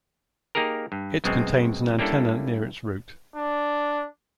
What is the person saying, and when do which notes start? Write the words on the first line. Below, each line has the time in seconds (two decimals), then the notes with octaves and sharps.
It contains an antenna near its root.
0.55 A#3 D#4 G4 G#4 A#4
0.92 G2
1.24 F#2 B2 G#3 C4
1.99 G3 A#3 C#4 D4 E4 A4
3.36 D4